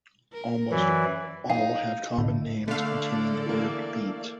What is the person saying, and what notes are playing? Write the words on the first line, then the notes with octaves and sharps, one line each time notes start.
Almost all have common names containing the word "beet".
A#4
F#2 E3 F#3 D5
D#4 F5
A2 D3
D3 A3 A4 D5 F5
E3 A#3